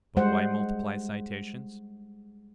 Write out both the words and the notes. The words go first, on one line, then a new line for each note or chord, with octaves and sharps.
But why multiply citations?
G3 G#3 C5 F#5